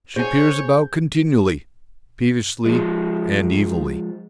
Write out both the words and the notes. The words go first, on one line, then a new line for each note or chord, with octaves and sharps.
She peers about continually, peevishly, and evilly.
G#4 C5 C#5 G#5 G6
F3 G#3